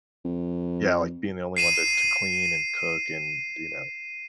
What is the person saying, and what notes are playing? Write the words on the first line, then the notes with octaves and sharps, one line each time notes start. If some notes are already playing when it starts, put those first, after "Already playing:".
Yeah, like, being the only one to to clean and cook and, you know,
F2
C7 D#7 E7